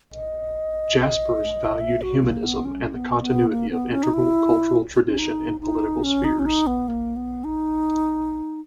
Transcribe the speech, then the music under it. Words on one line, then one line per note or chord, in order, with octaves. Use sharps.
Jaspers valued humanism and the continuity of integral cultural tradition in political spheres.
D#5
E5
F#4
A#3
B3
C#4
B3
B3
A#3
B3
C#4
D#4
E4
C#4
D#4
D#4
C#4
D#4
C#4
D#4
B3
A#3
B3
D#4